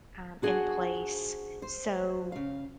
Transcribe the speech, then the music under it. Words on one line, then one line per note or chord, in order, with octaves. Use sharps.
um, in place. So,
D4 F#4 G#4 C5 F#5
C5
C#3 F5